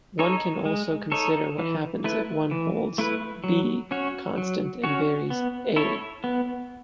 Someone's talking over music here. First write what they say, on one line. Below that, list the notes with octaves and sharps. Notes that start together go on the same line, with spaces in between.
One can also consider what happens if one holds "b" constant and varies "a".
D#4 A4 C#5
G#3
D#4 A4 C#5
E3
A3 E4 B4
E3
A3 E4 B4
F#3
C#4 F#4 C#5
F#3
C#4 F#4 C#5
B3
E4 A4 C#5
B3